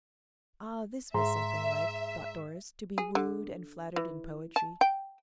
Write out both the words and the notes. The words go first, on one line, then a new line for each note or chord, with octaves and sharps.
Ah, this was something like, thought Doris, to be wooed and flattered in poetry.
G#2 E5 A#5 C6
G#4
D3
E3
A5
G5